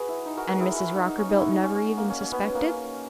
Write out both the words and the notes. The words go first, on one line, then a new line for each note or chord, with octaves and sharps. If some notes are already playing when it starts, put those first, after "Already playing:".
"And Mrs. Rockerbilt never even suspected?"
Already playing: F#4 G#4 B4
E4
D#4
F#4 A#4
F#4 A#4
E4 G#4
E4
D#4 F#4
D#4
C#4
D#4
E4
D#4 F#4
D#4
C#4
C#4
A#3
C#4
C#4
B3
A#3